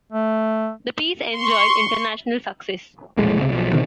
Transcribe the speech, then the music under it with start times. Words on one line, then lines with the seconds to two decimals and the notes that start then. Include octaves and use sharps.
The piece enjoyed international success.
0.13 A3
1.36 C6 C#6
3.17 E1 A#1 A2 G#3
3.37 C#2 C3
3.52 B1 F3
3.73 B2 D3 D#3 C4